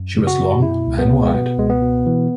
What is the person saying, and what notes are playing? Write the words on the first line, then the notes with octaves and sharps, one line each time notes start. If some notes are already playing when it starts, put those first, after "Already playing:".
She was long and wide.
Already playing: F#2
C#3
F#4
F#2
B2 E4
C#2
B3
B2
G#3
B2 B3
C#2 G#3
B3
B2
E3